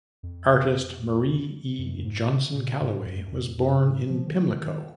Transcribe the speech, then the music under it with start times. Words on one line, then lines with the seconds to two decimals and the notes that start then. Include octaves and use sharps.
Artist Marie E. Johnson-Calloway was born in Pimlico.
0.23 F2
1.79 F#2
1.98 F#2
2.04 G#2
2.25 A#2
2.30 C3
2.55 A#2
2.81 G#2
3.02 G#2
3.06 F#2
3.28 F#2
3.33 F2
3.58 F#2
3.84 G#2
4.10 F3
4.27 D#3
4.36 F3
4.61 D#3